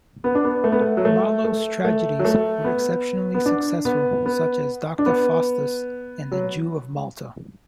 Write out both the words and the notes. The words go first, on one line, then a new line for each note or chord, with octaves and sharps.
Marlowe's tragedies were exceptionally successful, such as "Doctor Faustus" and "The Jew of Malta".
B3
D4
B3
A3
B3
A3
F#3
A3
A3
A3
F#3
A3
B3
B3
D4
B3
B3
D4
B3
F#3